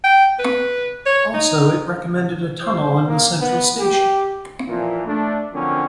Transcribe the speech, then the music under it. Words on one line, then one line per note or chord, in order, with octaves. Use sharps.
Also it recommended a tunnel and a central station.
G5
B4
C#5
D#4
C5
A#3
B3
G4
A#2 E3 F3
A3 D4
D3 F3 F#3 A#3 C4 C#4